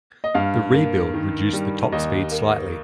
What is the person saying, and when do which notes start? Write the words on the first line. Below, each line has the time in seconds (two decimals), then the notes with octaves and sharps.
The rebuild reduced the top speed slightly.
0.24 D#5
0.34 G2 F5
0.74 A#3
1.14 D#3
1.53 G3
1.92 D#2 D#5
2.32 A#3